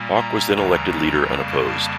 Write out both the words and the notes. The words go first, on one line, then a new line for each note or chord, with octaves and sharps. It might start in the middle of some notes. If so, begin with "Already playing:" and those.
Hawke was then elected leader unopposed.
Already playing: A#2 G3 A#3
A#5
D2 C#3 E3 G3 A#5
F2 C#3 G3 A#3 A5